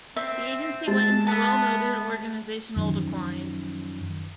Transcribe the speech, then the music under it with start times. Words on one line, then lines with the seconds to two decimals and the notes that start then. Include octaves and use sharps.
The agency went into well-noted organizational decline.
0.16 C4 E5
0.88 G#3 A5
1.27 B3 E5 A5
2.76 F#2 D#3 F3